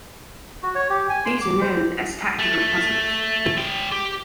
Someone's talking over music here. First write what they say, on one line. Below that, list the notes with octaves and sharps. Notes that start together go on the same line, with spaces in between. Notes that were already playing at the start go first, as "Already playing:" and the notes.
These are known as tactical puzzles.
F#4
C#5
G4
G#5
C6
D6
C5
A3
G#3 G5
G4